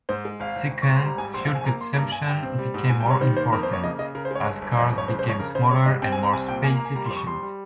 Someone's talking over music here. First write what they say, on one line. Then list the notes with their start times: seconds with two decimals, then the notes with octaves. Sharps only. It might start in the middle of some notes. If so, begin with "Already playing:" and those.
Second, fuel consumption became more important, as cars became smaller and more space-efficient.
0.09 G#2 C5
0.25 G#3
0.40 G#1 F5
0.55 G#1
0.71 G#1
0.82 C#6
0.87 G#1
0.94 C6
1.03 G3 A#5
1.18 G#2 G#5
1.34 A#1 C6
1.45 F5
1.50 A#1 G#5
1.61 G#5
1.65 A#3 A#5
1.81 A#3 C6
1.97 G2 A#5
2.12 G2 G#5
2.27 G2 G5
2.43 C4
2.58 G3
2.74 G#2
2.90 G#2 G#5
3.00 G5
3.05 G3
3.10 C#5
3.21 D#3 C5
3.37 A#3 C5
3.52 F2 A#4
3.63 C5
3.68 A#3
3.73 C#5
3.84 C#3 D#5
3.99 C#3 D#5
4.15 C#3 A#4
4.25 C5
4.31 G#3 C#5
4.46 G1
4.62 G1
4.77 F2 D#5
4.93 G1 C#5
5.08 C#3 C5
5.19 C5
5.24 F2
5.29 C#5
5.39 C#3 A#4
5.55 C#3 C5
5.71 G3 C#5
5.86 G#2 D#5
6.02 C4 G5
6.12 G#5
6.18 C4
6.23 A#5
6.33 C2 G#5
6.48 A#2 G5
6.64 A#3 G#5
6.75 A#5
6.80 A#3
6.85 G#5
6.95 G3 A#5
7.06 C6
7.11 F2
7.17 C#6
7.26 G3 C6
7.43 G3